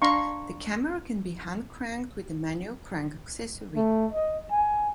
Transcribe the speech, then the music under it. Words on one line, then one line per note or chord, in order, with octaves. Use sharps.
The camera can be hand-cranked with a manual crank accessory.
D4 F5 A#5 C6 C#6
A3
D#5
G#5